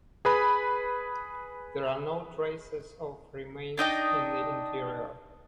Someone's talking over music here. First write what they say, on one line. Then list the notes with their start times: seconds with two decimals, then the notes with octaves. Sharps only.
There are no traces of remains in the interior.
0.25 G#4 B4 B5
3.78 D4 D#4 D#5 G5